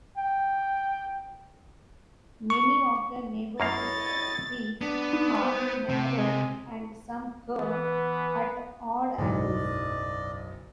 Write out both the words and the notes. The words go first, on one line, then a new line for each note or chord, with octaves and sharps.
Many of the neighborhood's streets are narrow and some curve at odd angles.
G5
C#6
F#2 A#3 E4 C#5 D#5 F5 A6
B3 D4
D#4
C5
C3
G#3
E3 B3
F#1 B1 G#2 D5 D#5